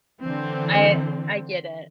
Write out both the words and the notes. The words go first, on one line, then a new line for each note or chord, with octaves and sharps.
I I get it.
D3 E3 C4